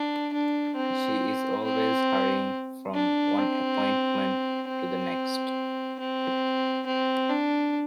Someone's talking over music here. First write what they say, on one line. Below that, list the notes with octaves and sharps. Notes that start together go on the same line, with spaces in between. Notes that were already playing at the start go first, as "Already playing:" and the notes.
She is always hurrying from one appointment to the next.
Already playing: D4
D4
C4
C4
D4
C4
C4
C4
C4
D4